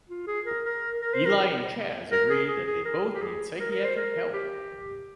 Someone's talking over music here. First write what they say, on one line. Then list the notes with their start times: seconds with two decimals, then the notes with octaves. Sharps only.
Eli and Chas agree that they both need psychiatric help.
0.09 F4
0.27 G#4
0.45 A#4
0.65 A#4
1.02 A#4
1.14 C5
1.26 A#4
2.12 A#4
2.30 G#4
2.48 G#4
2.67 G#4
2.85 A#4
3.04 G#4
3.14 G4
3.22 G#4
3.60 A#4
3.71 A#4
3.84 C5
3.97 A#4
4.33 G4